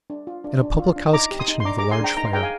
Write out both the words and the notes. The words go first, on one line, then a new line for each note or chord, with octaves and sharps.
In a public-house kitchen with a large fire.
D4
F4
D4
D4
F4
D4
D#4 A#5 D6
G4
C6 D#6
D#4
C6
D4 A#5 D6
G#4 A#5 D6
G#5 C6
D4 G5 A#5
D#4 A#5
C6
G#4 G5 A#5
F5 G#5